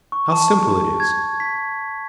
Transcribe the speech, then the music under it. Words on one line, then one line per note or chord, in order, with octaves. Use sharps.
How simple it is.
C#6
A5
G#6
B6